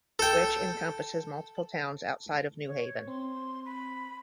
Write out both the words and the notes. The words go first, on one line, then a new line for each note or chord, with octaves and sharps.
Which encompasses multiple towns outside of New Haven.
A4 G5
C#5
C4 C6
B5